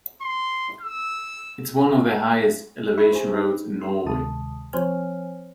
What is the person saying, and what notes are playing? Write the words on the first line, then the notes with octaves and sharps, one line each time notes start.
It's one of the highest elevation roads in Norway.
C6
E6
E4 E5 B5 C#6
G#4 C5
D#4
C6 E6
D2 C3 D#3 G#3 A5 D#6
F3 C4 C5 C#5 G#5 F6